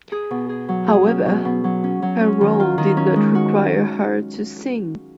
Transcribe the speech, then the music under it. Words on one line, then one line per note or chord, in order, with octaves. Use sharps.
However, her role did not require her to sing.
G#4
B2
G#4
F#3
G#4
C#4
B2
B2
F#3
C#4
F#3
C#4
D#3
F4
D#3
C#4
G#3
F#4